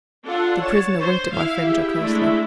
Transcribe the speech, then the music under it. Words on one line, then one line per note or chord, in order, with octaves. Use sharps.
The prisoner winked at my friend jocosely.
D4 F4 A4 F#5
C#5 A6 E7
C5
E4 E5 F5
G4 G#4
G#3 A3 D4